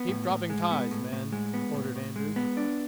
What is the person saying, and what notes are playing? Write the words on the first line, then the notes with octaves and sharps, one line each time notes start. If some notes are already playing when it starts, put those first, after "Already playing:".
"Keep dropping ties, men," ordered Andrews.
Already playing: B3
A2
A2
G#3
B3
A2
A2
G#3
B3
A2
A2
G#3
B3
D4